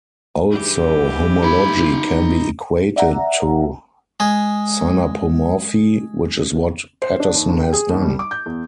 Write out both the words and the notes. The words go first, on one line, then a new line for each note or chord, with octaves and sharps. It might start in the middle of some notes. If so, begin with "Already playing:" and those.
Also, homology can be equated to synapomorphy, which is what Patterson has done.
G2 E3 G4
D#4 B5
D5 E5 F#5 A#5
G#3 G#4
C5
D4
D#2
D2
G5
G#4
D#2
G3
D6
G6
E2